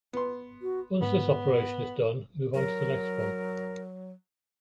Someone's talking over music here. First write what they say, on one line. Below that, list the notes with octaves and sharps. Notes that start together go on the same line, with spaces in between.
Once this operation is done, move on into the next one.
B3 C6
F#4
G#2 B3
F#3 A#4